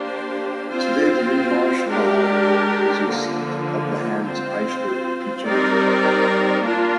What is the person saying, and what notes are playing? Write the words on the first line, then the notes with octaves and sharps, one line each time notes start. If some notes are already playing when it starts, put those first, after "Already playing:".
Today the New "Marstall" is a seat of the Hanns Eisler Conservatory.
Already playing: A#3 D4 G4 C5
C4 F4 C5
G#3 D4 G4 A#4
D3 F3 A#3
C4 F4 C5
G3 C4 D#4 A#4 D5
A#3 D4 F4 A#4